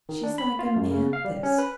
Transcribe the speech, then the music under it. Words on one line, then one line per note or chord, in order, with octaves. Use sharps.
She's like Amanthis!
D#3
D4
B5
F4
F#2
C#3
F5
G3
C#4
B4